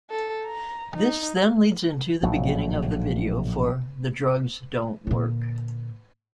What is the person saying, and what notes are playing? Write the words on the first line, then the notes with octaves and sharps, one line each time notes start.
This then leads into the beginning of the video for "The Drugs Don't Work".
A4
A#5
D#4
A#1 A2 F#3
A#2 D3